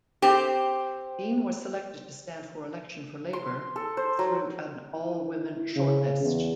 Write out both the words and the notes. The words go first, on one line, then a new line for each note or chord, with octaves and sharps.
Dean was selected to stand for election for Labour through an all-women shortlist.
C4 G4
C6
A4
C5
F#3
E4
E4
C#3
E2